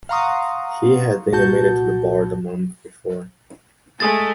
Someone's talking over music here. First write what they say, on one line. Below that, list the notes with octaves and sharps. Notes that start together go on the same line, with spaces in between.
He had been admitted to the bar the month before.
F5 F#5 A#5 C6 C#6 D#6
C2 A#2 F#4 A5 G6
G#3 A3 G#5 D#6 A6